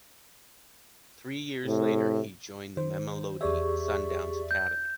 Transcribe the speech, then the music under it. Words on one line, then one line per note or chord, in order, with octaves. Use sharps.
Three years later, he joined the Mamelodi Sundowns academy.
A2 C3
D#3 C5
E2 G4 G#4 D5 E5 C#6
G6